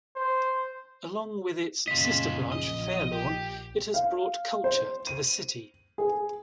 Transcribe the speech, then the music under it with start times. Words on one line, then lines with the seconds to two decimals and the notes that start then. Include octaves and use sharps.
Along with its sister branch, Fairlawn, it has brought culture to the city.
0.16 C5
1.88 F#2 A#2 C#3 F4 D#5 B6
2.52 A#1 D#5
3.12 G4
3.94 F5
4.64 C5
5.07 D#7
5.98 G#4